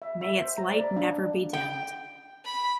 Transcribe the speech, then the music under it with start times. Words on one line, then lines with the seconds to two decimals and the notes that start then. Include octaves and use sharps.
May its light never be dimmed.
0.02 E5
0.21 E5
0.38 C5
0.58 A#5
0.73 D5
0.96 D4
1.53 G5
2.45 B5